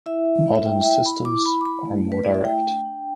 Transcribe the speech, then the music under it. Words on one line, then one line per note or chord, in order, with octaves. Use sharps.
Modern systems are more direct.
E4 E5
E4
A3
E5
E4 G5
E5
E4 G5
E4 B5
E4 D6
E4 B5
D6
E4 B5
A3
A3
B4
E4 D5
E5
A3 G5
D4
D4